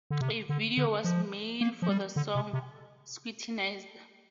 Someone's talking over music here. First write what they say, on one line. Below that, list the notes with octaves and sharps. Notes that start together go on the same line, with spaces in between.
A video was made for the song "Scrutinized".
D3
C3
D3
D3
F3
A#3
F3
G3
D3
C3
C3